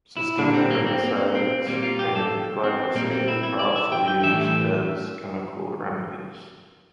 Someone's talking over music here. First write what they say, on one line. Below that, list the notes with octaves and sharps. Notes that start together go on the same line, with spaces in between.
Systemic herbicides and glyphosate are also used as chemical remedies.
E4
A#2 G3 D4
C4
A#3
C4
A#3
C4
A#2 G3 A#3
F4
G4
A4
C4
A#2 G3 A#3
C4
E4
E4
D5
E5
G5
G5
A2 E3 G3 E5